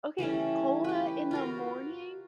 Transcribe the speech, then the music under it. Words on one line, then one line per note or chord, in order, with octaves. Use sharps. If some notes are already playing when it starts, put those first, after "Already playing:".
Okay, cola in the morning?
E3 G3 A3 C#4
G4 B4
F4 F#4 A#4